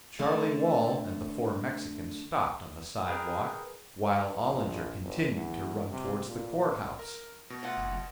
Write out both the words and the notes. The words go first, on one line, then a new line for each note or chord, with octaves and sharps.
Charlie Wall and the four Mexicans stopped on the sidewalk, while Ollinger continued to run towards the court house.
D3 A3
G#4 A#4 B4 G5
A#1
G1
E2
C3
A#2
A#4
B2
A2 F4 F#5
F#1